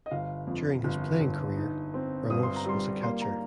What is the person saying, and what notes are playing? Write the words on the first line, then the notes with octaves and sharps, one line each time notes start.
During his playing career, Ramos was a catcher.
D#5
G1 F5
F2
G1
G1
D#4
C4
G2 D#6
C6
A#5
G3 C6
A#3 C6
A#5